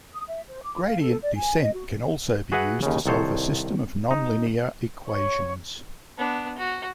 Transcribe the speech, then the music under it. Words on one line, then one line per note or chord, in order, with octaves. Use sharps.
Gradient descent can also be used to solve a system of nonlinear equations.
D#6
E5
C5
D6
F5
A4
D5
G#5
D#5
F#4
F#4 G#4 B4 E5 F#5
D#2 C#3
C2 D#3 A4 C5 C#5
D#4
C#5
B3 D4
F#4